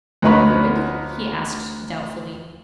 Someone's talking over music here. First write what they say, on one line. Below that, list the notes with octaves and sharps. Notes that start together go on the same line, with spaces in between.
'Good?' he asked doubtfully.
D2 A#3 C#4 D#4 B4 C#5